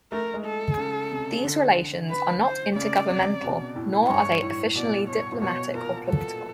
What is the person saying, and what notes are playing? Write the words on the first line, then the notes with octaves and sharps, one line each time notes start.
These relations are not inter-governmental nor are they officially diplomatic or political.
A3 A#4
G#3
A4
C#3
C3
D3
B4
C5
C#3 D5
C3
B2
A2
G2 C#5
A2
B2 D5
C#5
A#2
B2 C#5
A#2 A#4
A4